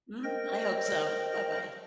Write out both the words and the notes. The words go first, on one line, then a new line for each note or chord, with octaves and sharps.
Mm, I hope so. Bye-bye.
A#4 C5 D#5 G5 A#6